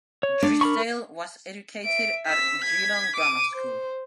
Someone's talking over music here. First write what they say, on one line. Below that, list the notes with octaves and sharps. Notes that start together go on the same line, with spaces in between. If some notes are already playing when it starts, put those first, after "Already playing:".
Drysdale was educated at Geelong Grammar School.
C#5
D4
A#4 B5 C#6
E5 D7
E6 B6
G#6 B6
D6 D#7
C5